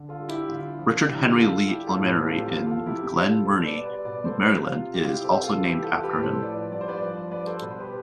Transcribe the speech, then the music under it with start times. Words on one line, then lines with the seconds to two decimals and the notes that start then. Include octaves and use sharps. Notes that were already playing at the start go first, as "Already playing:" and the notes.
Richard Henry Lee Elementary in Glen Burnie, Maryland is also named after him.
Already playing: D3
0.09 F4 A4
0.19 G3
0.29 E4 G4
0.49 D3 F4
0.79 F3
1.08 D3 E4 G4
1.38 G3 F4 A4
1.67 G3 E4 G4
1.87 F4 A4
1.97 A2
2.07 G4 B4
2.27 C3 F4 A4
2.37 G4
2.46 F4
2.57 F3
2.66 F4 A4
2.86 C3 E4 G4
3.06 E4 G4
3.16 G3
3.26 F4 A4
3.45 B2 A4 C5
3.65 B4 D5
3.76 G3
3.86 B4 D5
4.05 B2 B4 D5
4.25 A4 C5
4.35 G3
4.64 C3 F4
4.94 G3 G4
5.04 F4
5.13 E4 G4
5.24 C3 A4 C5
5.43 F4 A4
5.53 E3
5.64 E4 G4
5.83 G3 F4 A4
6.03 G4 B4
6.13 A2
6.23 A4 C5
6.43 F3 B4 D5
6.72 G2 D5
6.81 C5
6.88 B4 D5
7.02 F3
7.31 G2 B4 D5
7.46 A4 C5
7.62 B2 B4
7.71 C5
7.80 G4 B4